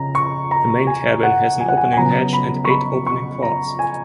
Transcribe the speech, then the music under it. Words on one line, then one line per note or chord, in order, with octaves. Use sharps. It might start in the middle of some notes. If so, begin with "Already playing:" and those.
The main cabin has an opening hatch and eight opening ports.
Already playing: C#3 C#4 A#5
C#6
A#5
G#5
F#5
G#5
F#5
G#5
G#5
C#3 F#3 B3 A#5
B5
C#6
B5
C#6
A#5
G#5